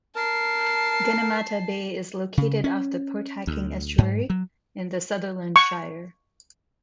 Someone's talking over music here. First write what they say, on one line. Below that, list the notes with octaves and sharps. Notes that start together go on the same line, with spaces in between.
Gunnamatta Bay is located off the Port Hacking estuary, in the Sutherland Shire.
A#4 A5 C7
C#3
C#4
D2
G#2
F#3
C#6